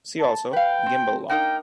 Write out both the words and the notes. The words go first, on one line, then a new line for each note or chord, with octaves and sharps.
See also: Gimbal Lock.
A5
B4 F5 G5
C4
A#3 D#4 A#4 G5